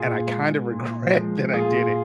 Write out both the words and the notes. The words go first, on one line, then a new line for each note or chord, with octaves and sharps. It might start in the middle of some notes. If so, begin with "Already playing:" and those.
and I kind of regret that I did it.
Already playing: A#2 F4 G#4
G#3
A#2
F3 G#3
A#2 F4 G#4